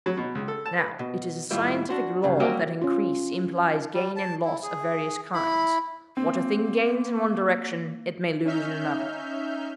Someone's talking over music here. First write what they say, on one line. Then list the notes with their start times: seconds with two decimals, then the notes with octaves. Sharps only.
Now, it is a scientific law that increase implies gain and loss of various kinds; what a thing gains in one direction it may lose in another.
0.06 F#3
0.18 B2
0.35 C#2
0.48 A4
0.66 A5
0.78 B4
0.99 B2
1.50 D#2 A2 G3 E4 F4
1.89 D4 F#4 C5
2.24 G2 C#3
2.40 F#3 G3 A#3 C4 F#4 G4
2.82 C#4 F4
3.93 G3
4.16 A5
4.44 E4
4.63 G#4
5.34 E4 B5
6.17 A#3 C4
8.45 C#4 D#4 E5 F6 G6